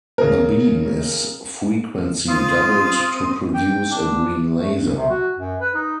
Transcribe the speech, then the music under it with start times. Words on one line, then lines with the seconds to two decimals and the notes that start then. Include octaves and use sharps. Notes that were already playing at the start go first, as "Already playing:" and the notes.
The beam is frequency doubled to produce a green laser.
0.18 C#3 A#4
2.28 C4 F4 F5 D#6
3.55 G5
3.92 D4
4.59 A3
4.70 G2
4.97 C3
5.10 F#4
5.39 F#2
5.60 B4
5.75 D#4